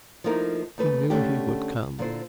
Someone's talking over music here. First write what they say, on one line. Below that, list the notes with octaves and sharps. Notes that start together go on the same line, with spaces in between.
She knew he would come.
F3 A3 A#3 D#4 E4 A#4
D#2 A3 B4
D3 A3 C#4 D4 G4
A#2 D3 E4 C5